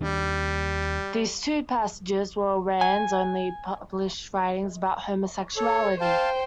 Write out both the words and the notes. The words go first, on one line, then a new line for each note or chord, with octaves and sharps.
These two passages were Rand's only published writings about homosexuality.
D#2 G3 D4
G#5
A4 C#5
C5 F5 G5 A5